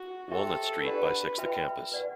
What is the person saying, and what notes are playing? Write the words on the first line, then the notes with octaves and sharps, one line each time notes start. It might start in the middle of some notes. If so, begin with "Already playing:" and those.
Walnut Street bisects the campus.
Already playing: F#4
G4 A4 C5 E5 G5 C6
D4 G4 B4 D5 F#5
F#4 B4 E5 G5 B5
B4 D5 F#5